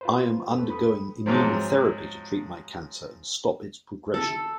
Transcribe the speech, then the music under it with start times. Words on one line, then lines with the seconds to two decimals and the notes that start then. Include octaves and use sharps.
I am undergoing immunotherapy to treat my cancer and stop its progression.
0.01 F4 B4 C5
0.50 F2 A4 B4
0.70 B5 D#6
1.26 G#2 F3 F#3 C4
4.14 A4